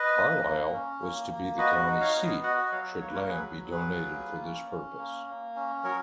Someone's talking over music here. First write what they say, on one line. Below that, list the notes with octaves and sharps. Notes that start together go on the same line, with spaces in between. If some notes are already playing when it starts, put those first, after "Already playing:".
Carlyle was to be the county seat should land be donated for this purpose.
Already playing: B4 D#5
A#3
A#3
C#4
A#3
A#3
F#4 B4 D#5
D#4
C#5 F5
B3
F#4 D#5 F#5
D#5
F#3 C#5 F5
A#3 C#5
B4
A#4 C#5
F#3 G#4 B4
F#3
G#4 B4
F4
A#3
C#4
C#4
A#3
A#3
C#4
F#3 A#4 C#5